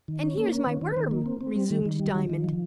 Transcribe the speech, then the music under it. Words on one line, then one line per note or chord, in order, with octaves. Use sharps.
"And here's my worm," resumed Diamond.
D#3
C#4
A#3
C#4
D#3
D#3
D#3
A#3
C4
C4
G3
D#3
D#3
G3
D#3
D#3
F3